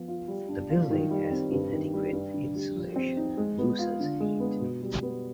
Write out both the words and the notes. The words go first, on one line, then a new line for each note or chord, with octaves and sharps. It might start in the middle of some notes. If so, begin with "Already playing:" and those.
The building has inadequate insulation and loses heat.
Already playing: F3 B3
F4
G3
D4
F4
D#3
G3
C4
G2
D#3
G3
G2
D3
G3
F3
C4
D#4
G#3
B3
F4
D3
G#3
B3
B2
G3
B3